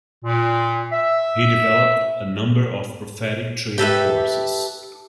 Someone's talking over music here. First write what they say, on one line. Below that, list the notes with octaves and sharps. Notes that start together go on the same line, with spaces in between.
He developed a number of prophetic training courses.
A#2
E5
G4 A4 B4 E5